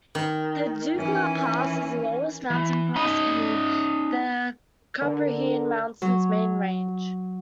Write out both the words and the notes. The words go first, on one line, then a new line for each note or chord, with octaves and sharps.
The Dukla Pass is the lowest mountain pass in the Carpathian Mountains main range.
D#3
E3 C#4
E3
C#4 D#4 D#5
D3 A#4
F#3